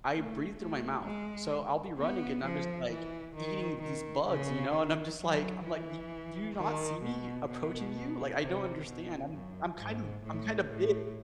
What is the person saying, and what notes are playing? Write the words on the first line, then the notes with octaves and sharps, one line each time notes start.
I breathe through my mouth, so, I'll be running and I'm just, like, eating these bugs, you know, and I'm just like I'm like, "Do do you not see me approaching you?" Like, I don't understand, I'm I'm kind of I'm kinda big
A3
A3
G#3
B3
F3
E3
D#3
D#3
C#3
D#3
F#3
E3
D#3
B2
B2
C3
B2
F#2
G#2
A2
A2